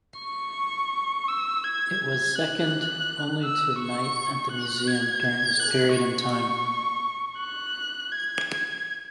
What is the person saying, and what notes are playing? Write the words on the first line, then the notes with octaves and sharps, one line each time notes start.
It was second only to "Night at the Museum" during this period in time.
C#6
E6
G#6
F#6
E6
C#6
F#6
G#6
F#6
C#6
F#6
G#6